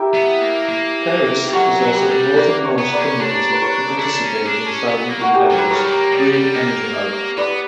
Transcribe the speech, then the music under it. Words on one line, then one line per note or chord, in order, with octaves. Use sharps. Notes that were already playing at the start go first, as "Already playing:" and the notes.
Paris is also the northernmost community to participate in Southern Ontario's Green Energy Hub.
Already playing: E4 G4 A#4
B3
A#3
A#3
G4
F#3 F#4 A#4
F#3
G4 B4
G3
A#3 B4 D5
A#4 C#5
B3
B4 D5
C#4
D4 A#4 C#5
B4
A#4 C#5
E4
D4
C#4
D4
C#4
B3
A#3
F#4
G4
F#3 A#4
B4
G3 A#4 C#5
G3
A#3
G3
G3
A#3
B3 B4 D5